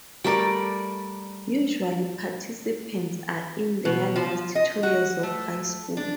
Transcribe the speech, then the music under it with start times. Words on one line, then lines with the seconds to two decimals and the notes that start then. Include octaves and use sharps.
Usually participants are in their last two years of high school.
0.24 G3 A3 A#4 D5
3.85 B2
4.16 F3
4.55 D#5
4.83 F#4
5.23 A3
5.97 D4